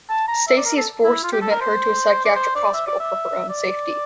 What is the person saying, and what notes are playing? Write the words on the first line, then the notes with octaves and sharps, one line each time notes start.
Stacey is forced to admit her to a psychiatric hospital for her own safety.
A5
A#5
E5
D5
A#4
A4
E4
F4
G4
A4
A#4
C5
D5
C5
D5
E5
D5
E5
D5